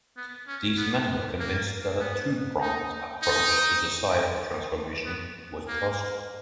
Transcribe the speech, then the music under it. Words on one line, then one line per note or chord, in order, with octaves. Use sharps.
These men were convinced that a two-pronged approach to societal transformation was possible.
B3
C#4
B3
A#3
B3
D#4
D#4
B3
A#3